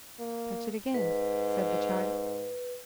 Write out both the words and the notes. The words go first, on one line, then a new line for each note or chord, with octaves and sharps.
"Touch it again," said the child.
A#3
G#2 B4